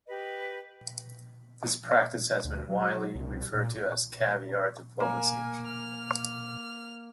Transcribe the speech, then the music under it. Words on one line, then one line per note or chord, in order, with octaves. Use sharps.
This practice has been widely referred to as "Caviar diplomacy".
G4 B4 D#5 B5
D2
F#3
C2
A#2
A#3 G#5
F6